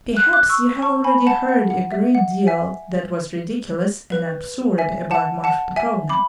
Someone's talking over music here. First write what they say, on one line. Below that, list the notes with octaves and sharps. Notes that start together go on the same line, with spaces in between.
Perhaps you have already heard a great deal that was ridiculous and absurd about Marfa Petrovna.
F#6
D6 F#6
C#6 E6
A5 C#6
G#5 B5
F#5 A5
F#5
F#5
E5
F#5
E5 G#5
B4
E5 G#5
F#5 A5
F#5 A5
E5 G#5
B5 D6